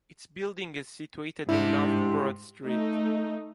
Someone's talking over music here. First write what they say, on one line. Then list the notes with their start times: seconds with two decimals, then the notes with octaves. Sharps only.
Its building is situated in North Broad street.
1.49 G#2 C3 G3 D4 E4
2.65 A3 D#4